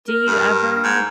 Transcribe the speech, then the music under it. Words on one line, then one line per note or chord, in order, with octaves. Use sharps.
Do you ever
A#4
G2
G#2